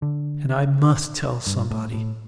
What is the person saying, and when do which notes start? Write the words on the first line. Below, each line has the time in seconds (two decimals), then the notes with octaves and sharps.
And I MUST tell somebody!
0.02 D3
1.47 G2
1.71 A2
1.94 A2